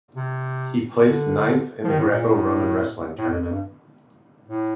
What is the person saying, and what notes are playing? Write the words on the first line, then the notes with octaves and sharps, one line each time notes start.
He placed ninth in the Greco-Roman wrestling tournament.
C3
D3
F3
D#3
A2
A#2
A#2
A2
A2
F2
F2
G2
A2